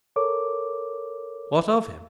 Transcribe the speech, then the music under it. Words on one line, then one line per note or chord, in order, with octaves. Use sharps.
"What of him?"
A4 A#4 C#5 D6